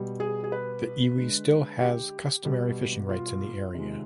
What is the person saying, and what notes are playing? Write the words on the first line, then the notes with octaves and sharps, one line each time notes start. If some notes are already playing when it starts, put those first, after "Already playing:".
The iwi still has customary fishing rights in the area.
Already playing: B2 G3
G#4
G#4
B4
D3 G#3
G4
B2 G3
F4
C3 D#3 G#3